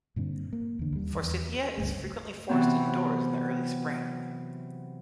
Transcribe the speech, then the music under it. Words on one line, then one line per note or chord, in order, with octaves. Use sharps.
Forsythia is frequently forced indoors in the early spring.
G2 A#2 D3 C4
A#3
E2 D3
D#2 G3
E2
C#2 G2 A3
C3 E3 F#3 B3 C4